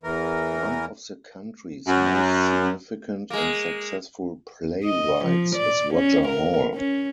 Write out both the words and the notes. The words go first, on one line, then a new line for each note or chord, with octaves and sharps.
One of the country's most significant and successful playwrights is Roger Hall.
E2 E3 A#4
F#2
G#3 A#3
D#5
F3
D5
C#4
A#4
C#4